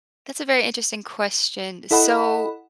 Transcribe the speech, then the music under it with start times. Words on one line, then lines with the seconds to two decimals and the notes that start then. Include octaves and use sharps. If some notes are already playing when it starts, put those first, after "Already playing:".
that's a very interesting question, so
1.91 E4 A4 D#5 F#5 B5